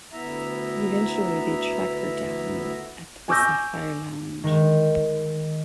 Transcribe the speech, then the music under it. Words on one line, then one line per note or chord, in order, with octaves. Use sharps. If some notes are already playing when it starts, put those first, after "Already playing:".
Eventually, they track her down at the Sapphire Lounge.
D2 B3 E4 E5 A#5
G#5 C#6 D6 E6 G6 A#6
D#3 G#3